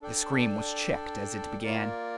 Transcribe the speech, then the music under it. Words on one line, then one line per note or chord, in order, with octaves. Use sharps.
The scream was checked as it began.
D4 A4 D5 G5
A#3 F4 A#4 D5